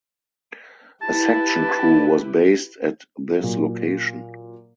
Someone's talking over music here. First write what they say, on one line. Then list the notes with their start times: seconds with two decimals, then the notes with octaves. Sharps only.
A section crew was based at this location.
1.02 E4 G4 B4 A5
3.40 A#2 F#3